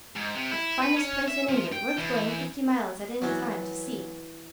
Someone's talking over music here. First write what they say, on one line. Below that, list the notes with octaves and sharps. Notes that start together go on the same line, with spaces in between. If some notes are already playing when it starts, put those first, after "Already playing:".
"The finest place in England--worth going fifty miles at any time to see."
G#2
C3
E4
B4
C#4
E5
F3
G5
E2
E3 F#3 C#4 F#4 D5